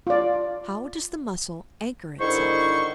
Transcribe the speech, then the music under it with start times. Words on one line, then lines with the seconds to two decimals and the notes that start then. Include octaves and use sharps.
How does the Mussel anchor itself?
0.07 F4 D5
2.20 G#2 D3 D#3 E4 C5 C#6